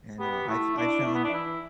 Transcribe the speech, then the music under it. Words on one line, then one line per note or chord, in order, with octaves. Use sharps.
and, uh, I've I've found,
B3 G4
A3 E4
D4 E4
A3 E4
B3
D4
E3 E4